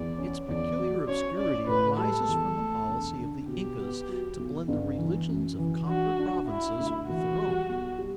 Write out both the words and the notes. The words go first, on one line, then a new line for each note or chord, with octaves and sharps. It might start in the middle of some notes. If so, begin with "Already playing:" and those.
Its peculiar obscurity arises from the policy of the Incas to blend the religions of conquered provinces with their own.
Already playing: E2 D5
C#4
E2 D5
F#3
C#4 C#5
C#4 D5
A2 B4
G3 A4
E2
A3
E1
D3
B2 G4
B3
F#3
B1
G1
E3
F#2
E3
D4 F#4
D4
D4 E4
D2
E3 F#4
G3
B1
G3